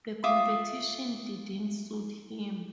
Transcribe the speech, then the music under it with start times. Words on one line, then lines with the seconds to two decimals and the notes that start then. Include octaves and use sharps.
The competition didn't suit him.
0.24 F4 E5 D6 D#6